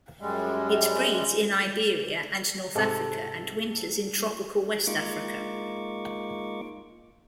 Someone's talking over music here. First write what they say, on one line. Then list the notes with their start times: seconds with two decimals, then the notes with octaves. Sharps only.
It breeds in Iberia and north Africa, and winters in tropical west Africa.
0.20 F#2 G3 G#3
2.75 G#2 C3 A4
4.87 G#3 A#3 D#4 F4 C#6 D6